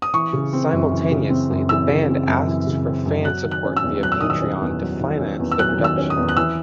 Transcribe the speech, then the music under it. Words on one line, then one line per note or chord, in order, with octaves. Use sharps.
Simultaneously the band asked for fan support via Patreon to finance the production.
D#6
E3 C#6
C#3
C4
F#2
E3
C#3
C4
F#2
E3 E6
C#3
C4
F#2
E3
C#3
C4
F#2
F#3 F#6
D#3
F#6
C#4
E6
E2
F#3 F#6
E6
D#3 D#6
E6
C#4
E2
F#3
D#3
C#4
E2
E6
F#3 F#6
D#3
E6
C#4
D#6
E2
F#6
E3 E6